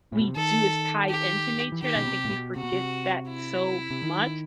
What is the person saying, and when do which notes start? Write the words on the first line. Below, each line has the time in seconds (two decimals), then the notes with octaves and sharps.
We do, it's tied into nature and I think we forget that so much
0.12 A2
0.20 B2
0.28 C3
0.36 D#3 A4
1.09 G4
1.72 E3
1.83 D#3 G4
1.96 B2
2.07 C3
2.25 A2
2.31 B2
2.56 C3 F#4
2.63 B2
2.73 C3
3.30 E4
3.91 C3
4.03 D#3